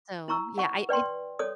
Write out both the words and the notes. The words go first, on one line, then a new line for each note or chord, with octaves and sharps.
So, yeah, I I
E4 A#5 C#6 E6
F#5 C#6
B4 D5 G5 C6
A4 C#5 D5 D#6